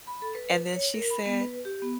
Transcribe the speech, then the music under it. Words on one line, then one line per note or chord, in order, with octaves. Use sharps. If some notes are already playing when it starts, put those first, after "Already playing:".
and then she said,
B5
A4
B4
C#5
A#4
B5
B3
B4
G4
B3